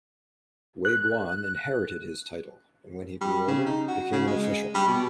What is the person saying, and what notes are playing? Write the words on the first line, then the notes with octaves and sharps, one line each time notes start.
Wei Guan inherited his title, and when he grew older became an official.
F#6
G3
C#3
D#4
F#4
C#3
G#3
G3
B2